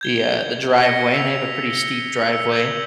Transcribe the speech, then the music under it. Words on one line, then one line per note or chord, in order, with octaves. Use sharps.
the, uh, the driveway, and I have a pretty steep driveway,
G6 G#6 G7
A#6 B6 C#7
E6 B6 C#7 F7
C#7 G7
E6
G6 G#6 F#7